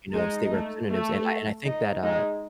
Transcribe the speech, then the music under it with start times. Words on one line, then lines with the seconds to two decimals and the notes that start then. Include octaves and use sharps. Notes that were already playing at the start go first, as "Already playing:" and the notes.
you know, state representatives and I and I think that, uh,
0.12 G#3 D#4
0.51 A3
0.89 A3
1.65 D#4
2.03 G#3 D#4